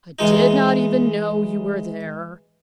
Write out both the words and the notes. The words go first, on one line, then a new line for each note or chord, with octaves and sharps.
"I did not even know you were there."
E3 G#3 D#4